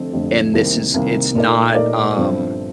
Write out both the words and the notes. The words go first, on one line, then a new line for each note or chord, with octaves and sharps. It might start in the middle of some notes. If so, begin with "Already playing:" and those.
and this is it's not, um,
Already playing: F1 F2 D3 A3 C4
F1 F2 D3 A3 C4
C2 C3 D#3 A#3
C2 C3 D#3 A#3
A#2 A3 D#4 A#4 D5
A#2 A3 D#4 A#4 D5
G1 G2 F3 C4